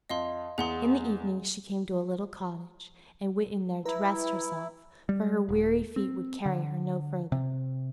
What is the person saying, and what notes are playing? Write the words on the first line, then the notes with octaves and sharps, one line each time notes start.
In the evening she came to a little cottage, and went in there to rest herself, for her weary feet would carry her no further.
F2 D#5 F5 C6
E2 G#4 F#5 C6
E4 B4 A#5
G3
D#1
C4
D3
C3